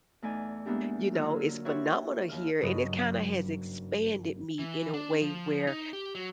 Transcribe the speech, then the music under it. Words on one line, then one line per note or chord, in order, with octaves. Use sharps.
you know, "it's phenomenal here." And it kinda has expanded me in a way where
E2 A3 D#4 D5 G#5
G#3 A#3 B3 D4 E4 G4
D3 F#3 F4 F#4 A#4
D4 E4 F#4 G4 C#5
D#2 F6
F#1 G2 F#3 D#5 B5
E3
D4
F3
D#4
G4
F#3